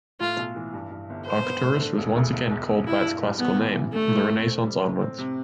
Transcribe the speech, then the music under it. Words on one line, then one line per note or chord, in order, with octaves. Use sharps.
Arcturus was once again called by its classical name from the Renaissance onwards.
A2 F4
B1
E3
G2
G2
G1
B3 C5
B3
A2
D3
E1
D2
E1
E2
E1
G2 E4
G2
G3
E3 B3
E3
A1
D3 A3
E4
F2
C4
G3
A2
C4
C3